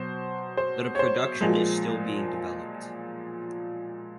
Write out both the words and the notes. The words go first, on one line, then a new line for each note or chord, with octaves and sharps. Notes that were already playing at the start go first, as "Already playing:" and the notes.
The production is still being developed.
Already playing: B2 F#3 C5
C5
C#5
C5
A#2 F3 G#3